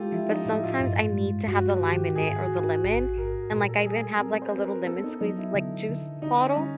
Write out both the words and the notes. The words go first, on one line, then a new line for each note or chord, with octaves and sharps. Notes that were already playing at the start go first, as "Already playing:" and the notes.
but sometimes I need to have the lime in it or the lemon, and like, I even have, like, a little lemon squeeze, like, juice bottle,
Already playing: G#3 F4 G4 A4
F3 E4
D#4
A2 E4
F4
G2
G#3
G2 F#4
D#3 G4
G#2 G#4
F#4
G#2
F#4
A1
G#2 A#4
A#2 A#4
A4
G3 G#4
A4
C4 A#4
C5
C4 B4
A#4
B3 A4
D#4
F#3 D#4
E4
D3
D3
D3 D#4
C#4
G3